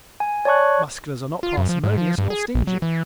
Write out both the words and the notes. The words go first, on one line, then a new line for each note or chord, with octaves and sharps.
Musculars are not parsimonious nor stingy.
G#5
C#5 D5 A5 C#6 F#6
F4
F#2
F3
G#2
F3
G2
G#4
A#1
F#3
E3